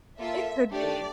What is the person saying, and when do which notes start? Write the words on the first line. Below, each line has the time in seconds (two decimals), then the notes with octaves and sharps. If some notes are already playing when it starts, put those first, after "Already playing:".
It could be.
0.19 A#3 F4 A4 E5
0.73 A3 D4 G4 D5